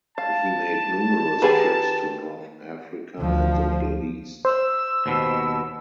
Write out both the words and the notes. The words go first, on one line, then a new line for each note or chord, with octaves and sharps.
He made numerous trips to North Africa and the Middle East.
F5 A5
D#3 G4 G#4 B4 G#5
D2 F3
C5 E6
D#2 B2